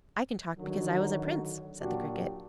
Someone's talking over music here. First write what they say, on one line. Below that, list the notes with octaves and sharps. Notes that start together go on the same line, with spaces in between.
'I can talk because I was a Prince,' said the Cricket.
D3 D#3 F#3
A#2 F#3 D4 F#4 G4